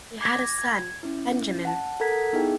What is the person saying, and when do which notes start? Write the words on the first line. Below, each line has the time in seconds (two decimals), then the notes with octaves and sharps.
They had a son, Benjamin.
0.21 D6 G#6 A#6
0.59 G#6
1.03 C#4 E4
1.65 F#5 A5
2.00 A4 A#4 F#5 A#5 G#6 B6
2.33 B3 D#4 E4 G#4 G5